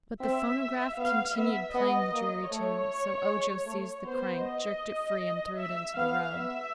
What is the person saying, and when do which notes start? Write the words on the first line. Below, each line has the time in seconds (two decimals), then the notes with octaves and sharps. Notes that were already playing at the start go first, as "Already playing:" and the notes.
But the phonograph continued playing the dreary tune, so Ojo seized the crank, jerked it free and threw it into the road.
0.20 C4 E5
0.97 B3 F5
1.35 B3 E5
1.74 B3 D#5
2.12 A#3
2.51 A3 C#5
3.28 G#3
3.66 A3
4.04 B3 C5
4.43 D#5
5.58 E5
5.97 B3 F5
6.35 B3 E5